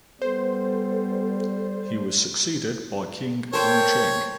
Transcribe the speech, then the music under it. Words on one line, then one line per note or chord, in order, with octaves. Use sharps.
He was succeeded by King Wucheng.
G3 B3 A4 C5
A4 A#4 C5 C#5 G5